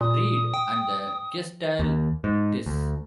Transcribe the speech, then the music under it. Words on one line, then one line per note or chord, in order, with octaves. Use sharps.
Reed and the Gestaltists.
A#2 D#6
G5
D#2
G#2
D2